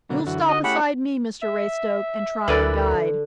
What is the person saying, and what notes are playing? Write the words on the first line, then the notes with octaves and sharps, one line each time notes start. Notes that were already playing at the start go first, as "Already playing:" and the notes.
"You'll stop aside me, Mr Raystoke, and try and guide."
B2 D3 F#3 A#3
F#2 E3 F#4
D#4 F#4 D#5 D#6
A3 C#4 E4 G4 G#4 F#5 B5
E5
D2 D3 E3 A#4 B4 D5 B5